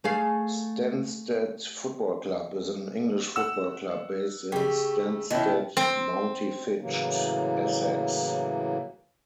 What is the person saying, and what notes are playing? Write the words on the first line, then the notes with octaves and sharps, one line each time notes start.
Stansted Football Club is an English football club based in Stansted Mountfitchet, Essex.
A3 G#4 F5
F#5 E6 E7
C#3 A3 G4
B2 D#3 C#4 E4
C4
A2 C#3 E3 F#3 A#3